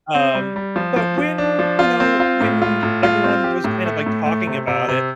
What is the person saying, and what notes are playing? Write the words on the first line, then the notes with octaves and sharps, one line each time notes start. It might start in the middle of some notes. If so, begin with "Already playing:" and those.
um, but when, you know, when everyone was kind of, like, talking about it,
C4
G3
G3
F3
F3
F3
D4
F3
F4
C4
F4
A2
F4
A2
F4
C4
G4
A2
A3
A2
A3
C3
C3
C3